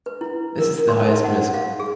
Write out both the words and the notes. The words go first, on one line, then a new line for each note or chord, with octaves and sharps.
This is the highest risk.
B4
E4
A#4
C6
D#4
F#5
F5
G#4